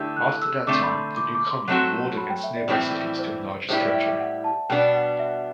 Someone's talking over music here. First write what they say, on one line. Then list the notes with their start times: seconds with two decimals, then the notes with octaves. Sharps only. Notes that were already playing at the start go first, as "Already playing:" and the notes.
After that time, the new commune warred against nearby cities to enlarge its territory.
Already playing: D3 A3 E4 G4 E6
0.17 F#6
0.42 E6
0.67 D3 A3 C4 D6
0.83 B5
0.92 C6
1.17 D6
1.35 D6
1.51 C6
1.68 F#3 A3 C4 F#4
2.17 B5
2.30 G5
2.43 E5
2.56 D5
2.68 A2 E3 G3 C4 E4
3.19 C5
3.69 A2 G3 C4 E4 G4 C5
3.82 D5
3.95 E5
4.07 E5
4.20 F#5
4.44 A5
4.69 B2 G3 B3 D4 G5
4.94 F#5
5.19 E5